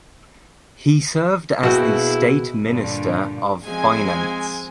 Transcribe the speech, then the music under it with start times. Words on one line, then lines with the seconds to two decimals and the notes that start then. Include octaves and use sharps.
He served as the State Minister of Finance.
1.63 B2 A#3 E4 F#4 G#4 F#5 G5
2.67 G2 A#2 D3
3.65 F3 G#3 C4 G#4 G#5